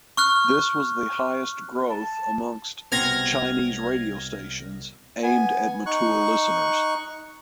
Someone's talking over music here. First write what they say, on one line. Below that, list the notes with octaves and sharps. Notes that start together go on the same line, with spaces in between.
This was the highest growth amongst Chinese radio stations aimed at mature listeners.
C#6 F6 F#6
A5
C2 B2 C4 F6 G#6 A#6
B3 G#5
D#4 C#6 F#6